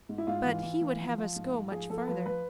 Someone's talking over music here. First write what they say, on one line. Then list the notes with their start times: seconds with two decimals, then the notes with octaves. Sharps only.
But he would have us go much further.
0.09 G#2
0.18 E4
0.27 G#2 F4
0.45 E3
0.63 E3
0.81 E3
1.00 F3
1.18 F3
1.36 G#2
1.53 G#2
1.71 F3 G#4
1.89 F3 A4
2.07 F3 B4
2.26 F3 B4